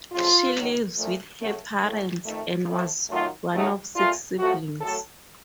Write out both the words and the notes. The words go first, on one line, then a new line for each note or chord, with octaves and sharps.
She lives with her parents and was one of six siblings.
F2 C#3 F3 A3 F4
F2 D#3 F#3
A#2 F3 A3
F#2 C#3 F#3 A3
A2 A3
F2 D#3 A3
A2 F3 A3
F#2 D#3 F#3 A3 F4
D#2 C#3 F#3 A3 D#4
A#2 A3 F4
F#2 F3 A3 F#4
A2 F#3 A3 A4